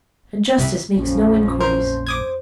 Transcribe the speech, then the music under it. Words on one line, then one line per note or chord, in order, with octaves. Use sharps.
And justice makes no inquiries.
C2 C3
A#1 F2 F3 C#4
A#4 C5
D6 D#6 G#6